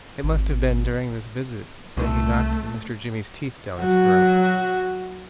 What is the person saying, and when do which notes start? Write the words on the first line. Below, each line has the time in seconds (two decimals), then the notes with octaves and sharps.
It must have been during this visit that he knocked Mr Jimmy's teeth down his throat.
0.23 G#1
1.97 C2 A3
3.79 F#3 F#4